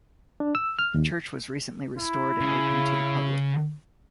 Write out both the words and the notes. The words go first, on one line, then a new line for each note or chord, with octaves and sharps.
The church was recently restored and opened to the public.
D4
E6
F6
D#2
E4
C#3